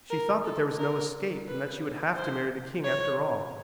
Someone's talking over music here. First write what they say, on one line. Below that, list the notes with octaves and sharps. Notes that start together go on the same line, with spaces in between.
She thought that there was no escape and that she would have to marry the king after all.
A#4
A4
A#4
B4
C5
C#5